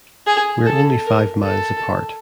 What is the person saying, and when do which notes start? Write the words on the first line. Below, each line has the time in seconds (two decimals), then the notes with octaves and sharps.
We're only five miles apart.
0.27 G#4
0.66 A4
1.05 A#4
1.44 A4